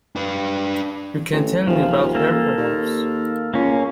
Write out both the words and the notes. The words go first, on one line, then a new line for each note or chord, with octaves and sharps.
You can tell me about her perhaps?
D4 B4
A1
D#1 F3
A#3 A4
D#2
C#2 A#3 C#4